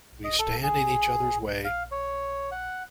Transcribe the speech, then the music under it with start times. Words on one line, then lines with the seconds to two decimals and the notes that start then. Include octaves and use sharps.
We stand in each others' way!
0.24 D#5
0.39 A4
0.63 G#4
1.65 F5
1.92 C#5
2.52 F#5